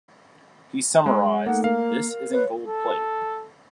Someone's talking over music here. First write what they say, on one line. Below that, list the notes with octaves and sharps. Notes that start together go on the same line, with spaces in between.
He summarized, This isn't gold plate.
G#3
A3 A#3 D#4 A4 F#5
A#3 A#4 F5
B4 C#5
A4